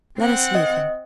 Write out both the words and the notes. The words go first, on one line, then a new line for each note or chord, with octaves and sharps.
Let us leave him.
C4 F#5
D#5